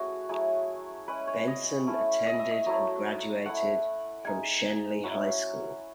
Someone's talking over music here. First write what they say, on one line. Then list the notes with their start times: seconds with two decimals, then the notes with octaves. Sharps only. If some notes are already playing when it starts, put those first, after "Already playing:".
Benson attended and graduated from Schenley High School.
Already playing: A3 C#4 E4 F#4 G#4
0.29 F#3 A3 E4 G#4
1.08 G#3 C#4 E4 B4
1.27 C#5
1.48 D#5
1.87 A3 C#4 E4
2.27 D#5
2.39 E5
2.51 D#5
2.66 F#3 A3 E4
3.46 A3 E4 F#5
4.24 G#3 D#4 G#5
5.04 F#3 C#4 E4 F#5